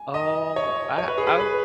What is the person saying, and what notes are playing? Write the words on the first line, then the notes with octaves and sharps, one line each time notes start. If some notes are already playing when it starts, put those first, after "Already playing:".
Um, I I
Already playing: G#5
D#5
C#5
C#5
B4
G#4
B4
B4